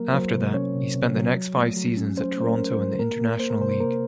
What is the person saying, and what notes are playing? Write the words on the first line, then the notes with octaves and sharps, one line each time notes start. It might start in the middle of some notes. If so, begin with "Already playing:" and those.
After that, he spent the next five seasons at Toronto in the International League.
Already playing: F#3 A#3 A#4
F#3 C5
C3
C#4 C#5
C3
C3
F#3
F#3
A3
F#3
C#4
C#4 C5
A3 C5
A#4
C#4
C5
F#3
A#3 A#4
A#3
A#3 C5
A#4
C3 C5
C5
A#3 A#4